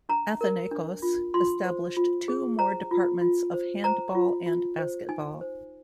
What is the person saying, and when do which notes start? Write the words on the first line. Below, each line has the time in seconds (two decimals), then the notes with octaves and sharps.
Athinaikos established two more departments of Handball and Basketball.
0.09 D4 A#5
0.41 A#4
0.71 D4
1.02 F4
1.34 F4 C6
1.65 C5
1.97 F4
2.28 G#4
2.59 C5 A#5
2.91 F4
3.21 F4
3.54 C5
3.84 C5 A#5
4.15 F4
4.46 F4
4.79 C5
5.09 D#4 G#5
5.41 C5